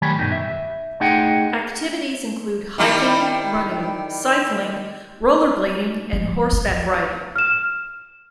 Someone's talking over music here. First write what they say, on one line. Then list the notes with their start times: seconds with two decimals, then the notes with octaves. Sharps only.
Activities include hiking, running, cycling, rollerblading, and horseback riding.
0.02 D#3 F#3 G3 A3 G#5 B5
0.19 G2 B2 D#3
0.32 E5
1.01 A3 D#4 G#4 F#5 G5
2.78 D#3 G3 E4
6.13 F3
6.52 F3
7.36 F6 E7